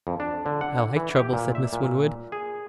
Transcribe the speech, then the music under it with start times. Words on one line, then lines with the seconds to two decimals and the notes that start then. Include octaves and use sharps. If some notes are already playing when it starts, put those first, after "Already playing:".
"I like trouble," said Miss Winwood.
0.07 F2
0.20 D4
0.46 D3
0.61 F#5
0.96 E3
1.15 G4
1.33 A#2
1.55 E5
1.73 A#2
2.32 G#4